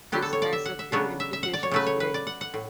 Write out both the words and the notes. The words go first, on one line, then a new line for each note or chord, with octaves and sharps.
This has a few implications today.
D3 F#3 B3 G4
A4
C#5
D5
E5
F#5
E5
C#3 F#3 B3 D4 C#5
E5
E5
F#5
D5
C#5
C#3 F#3 A3 B4
C#5
B4
D5
F#5
F#5
A2